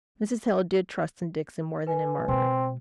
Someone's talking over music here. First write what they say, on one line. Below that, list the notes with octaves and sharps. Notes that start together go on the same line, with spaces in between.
Mrs. Hale did trust in Dixon more than in Margaret.
B4 G#5
B2 G#3 C4